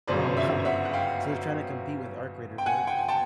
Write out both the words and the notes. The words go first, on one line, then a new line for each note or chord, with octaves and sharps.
Oh, wow. So, they're trying to compete with Arc Raiders, right?
G1 F#2 C#3 C5 D5
D5 E5
E5 F#5
F#5
F5 G5
G5
F#5 G#5
G5
G#5
G5 A5